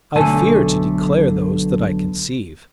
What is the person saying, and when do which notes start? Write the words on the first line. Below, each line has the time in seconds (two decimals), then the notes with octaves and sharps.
I fear to declare those that I conceive.
0.16 B1 D3 A3 G#5 A5